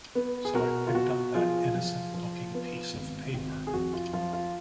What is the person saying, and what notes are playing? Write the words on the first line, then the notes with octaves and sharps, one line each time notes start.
So I picked up that innocent-looking piece of paper.
B3
G#4
B2 F#4 A#4
F4
B2 F#4
F3 F4 G#4
F3
F3
B3
G#1
G#1
G#4
F2 F#4
F4
F3 F4
F4